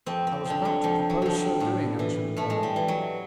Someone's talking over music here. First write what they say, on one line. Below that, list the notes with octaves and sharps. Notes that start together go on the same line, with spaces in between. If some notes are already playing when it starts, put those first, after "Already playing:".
"I was about to propose so doing," answered De Bragelonne.
F2 C4
C4
D3 F3
F#3
F2 F3
F#3
D3 F3
G3
A2
E3
A2 A3
G#3
G3
E3
F#3